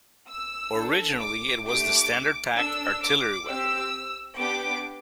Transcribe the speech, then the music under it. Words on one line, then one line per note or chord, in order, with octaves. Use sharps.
Originally it was the standard pack artillery weapon.
E6
D4 A4
D6
A3 D4 G4 D6
D4 A4 E6
D6
C4 G4 E6
B3 D4 G4 D6